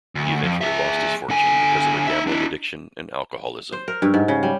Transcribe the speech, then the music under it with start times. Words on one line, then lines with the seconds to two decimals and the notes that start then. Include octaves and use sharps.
He eventually lost his fortune because of a gambling addiction and alcoholism.
0.15 D2
0.43 F2
0.61 G#4 E5
1.30 D3 G#5
2.07 D#4 E5
2.27 D4 E4
3.72 C5
3.88 A#4
4.02 G2
4.14 G#2
4.28 C#3
4.43 G3